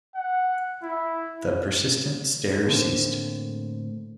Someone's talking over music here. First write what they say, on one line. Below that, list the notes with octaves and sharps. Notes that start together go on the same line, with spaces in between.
The persistent stare ceased.
F#5
E4
A2 D3 A#3 C4